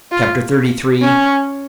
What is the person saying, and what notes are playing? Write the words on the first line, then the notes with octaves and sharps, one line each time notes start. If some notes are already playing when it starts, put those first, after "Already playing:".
Chapter XXXIII.
F4
C#4